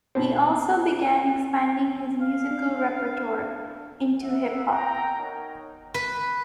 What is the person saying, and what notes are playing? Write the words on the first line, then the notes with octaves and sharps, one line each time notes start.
He also began expanding his musical repertoire into hip hop.
B2 C4
F5
D4
E5 F#5
G5 A#5
D#4 F#4 A#4 C#5
B4